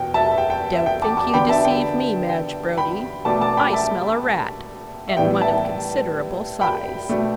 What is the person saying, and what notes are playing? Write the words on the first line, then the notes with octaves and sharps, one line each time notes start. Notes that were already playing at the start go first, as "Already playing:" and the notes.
"Don't think you deceive me, Madge Brodie--I smell a rat, and one of considerable size."
Already playing: E2 B2 B3 G5
E5 A5
E5
G5
G5
E5
G5
A5 D6
A5 D6
D3 B3 D4 G5 B5
E5 A5
G5
G5
G5 B5
B2 A3 D4 A5 D6
A5 D6
G5 B5
E5 A5
E5
A2 E3 G3 B3 D4 G5
E5 A5
G5 B5
B2 A3 D4